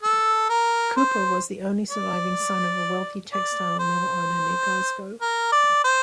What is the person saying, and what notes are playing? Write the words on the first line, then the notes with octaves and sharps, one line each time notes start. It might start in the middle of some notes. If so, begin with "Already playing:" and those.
Couper was the only surviving son of a wealthy textile mill owner near Glasgow.
A4
A#4
C5
D5
D5
C5
A#4
D5
C5